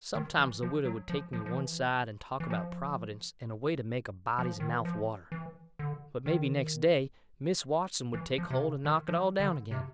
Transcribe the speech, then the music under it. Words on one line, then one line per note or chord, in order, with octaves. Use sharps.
Sometimes the widow would take me one side and talk about Providence in a way to make a body's mouth water; but maybe next day Miss Watson would take hold and knock it all down again.
D#3
E3
F3
F#3
F3
F3
F3
E3
E3
F3
F3
D#3
E3
F3
E3
D3
D#3
E3
F3
C3
C#3
D#3
F3
D3
C3